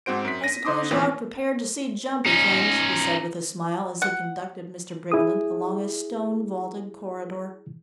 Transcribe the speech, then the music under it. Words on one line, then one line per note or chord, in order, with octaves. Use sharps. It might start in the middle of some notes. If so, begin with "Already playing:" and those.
"I suppose you are prepared to see jumpy things," he said with a smile, as he conducted Mr. Briggerland along a stone-vaulted corridor.
G#2 C4 F#4 C5 D7
F#2 B6
A#6 D#7
D3 C5 C6 D6 D#6
D#2 A#2 E3 A#3 C4
C#4 D#4
F#5
E4 G#4 D#6